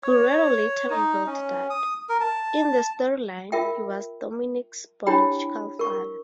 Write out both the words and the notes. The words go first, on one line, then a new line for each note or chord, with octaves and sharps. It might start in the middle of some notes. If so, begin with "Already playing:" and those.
Guerrero later revealed that, in the storyline, he was Dominick's biological father.
C#5
D#4
C#4
D#6
A#4
A5
F4 A#4 E5 G5
D4 E4 G4 C#5 G5 B5
A#4 C#6